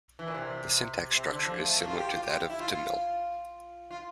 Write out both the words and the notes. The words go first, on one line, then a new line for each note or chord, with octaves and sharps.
The syntax structure is similar to that of Tamil.
E3
A#2
C3
C3
D3
F3
A3
A#3
F4
G4
F4
G4
E4
F4
F4
F4